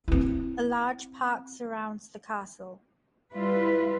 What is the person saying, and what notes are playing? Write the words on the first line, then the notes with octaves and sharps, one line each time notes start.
A large park surrounds the castle.
C4 E4
G3 E4 F4 B4